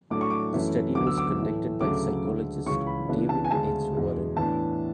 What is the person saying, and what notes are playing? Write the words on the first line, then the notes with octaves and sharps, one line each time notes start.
The study was conducted by psychologist David H. Warren.
A2 F#3 A3 D4 D6
C#6
D6
F#2 E3 A3 C#4
D2 D3 F#3 B3 D6
E6
D6
A2 E3 A3
D2 C#3 F#3 A3 D6
D2 D3 G#3
C#2 C#3 E3 G#3 C#4 C#6
B5
C#3 E3 B3 D4
A5
G#5
D2 C#3 G#3 C#4 A5
E2 B2 G#3
A2 E3 B3 D4 A5